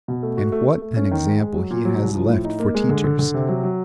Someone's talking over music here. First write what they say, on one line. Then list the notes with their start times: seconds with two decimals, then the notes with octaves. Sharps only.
And what an example he has left for teachers.
0.08 B2
0.23 A3
0.37 F#4
0.52 A3
0.67 A3
0.82 A3
0.97 C#4
1.11 D#3
1.26 G#3
1.41 G#3
1.56 F#3
1.70 A#2
1.85 F#3
2.00 C2
2.15 F3
2.30 A2
2.45 D#4
2.60 A#3
2.75 G#3
2.89 D3
3.04 D3
3.19 D3
3.34 C3
3.49 F#3
3.63 F#3